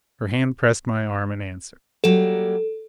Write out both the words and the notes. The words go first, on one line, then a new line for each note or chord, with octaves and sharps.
Her hand pressed my arm in answer.
F#3 G3 A#3 A4